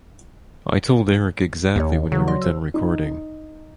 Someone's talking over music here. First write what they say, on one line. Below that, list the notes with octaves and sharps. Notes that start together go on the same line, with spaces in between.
I told Eric exactly when we were done recording.
D#2 A#3 G4 C#5
C#3 F3 F#3
D5 C6 A#6
C5 E6
D#4